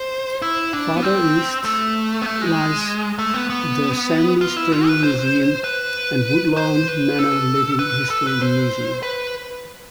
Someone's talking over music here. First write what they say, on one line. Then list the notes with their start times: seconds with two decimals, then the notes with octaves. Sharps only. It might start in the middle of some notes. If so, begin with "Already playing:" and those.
Farther east lies the Sandy Spring Museum and Woodlawn Manor Living History Museum.
Already playing: C5
0.42 E4
0.73 D4
0.96 B3
1.03 C4
1.64 A3
2.21 B3
2.26 A3
2.42 G#3
3.19 A3
3.34 B3
3.50 B3
4.41 F4
4.56 E4
4.72 F4
4.88 B4
5.03 C5
5.64 B4
6.57 C5
6.88 B4
7.19 A4
7.79 B4
8.10 A4
8.26 B4
8.41 C5
9.03 B4